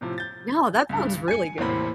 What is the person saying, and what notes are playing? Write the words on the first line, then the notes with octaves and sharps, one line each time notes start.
No, that sounds really good.
A2 C3 F3
G6 A6
C#2 G2
G#5 C#7
E2 A2 C3 A#3 C4 B5